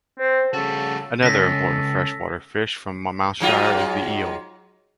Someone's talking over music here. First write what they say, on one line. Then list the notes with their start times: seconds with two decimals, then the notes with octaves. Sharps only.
Another important freshwater fish from Monmouthshire is the eel.
0.20 C4 C5
0.53 C#3 G3 F#4 A4
1.23 C#2 C#4 A4 A#6 B6
3.40 G#2 F#3 F4